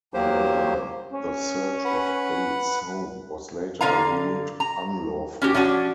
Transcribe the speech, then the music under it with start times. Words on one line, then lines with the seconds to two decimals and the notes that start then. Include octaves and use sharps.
However, the search of Bates' home was later ruled unlawful.
0.14 E2 F#3 A#3 G4 C5
1.13 C#4
1.85 B4 F#5
3.81 D3 A#3 F4 F5 A#5
4.60 A#5
5.42 C#4 F#4 G4
5.54 F3 C#4 D4 F#4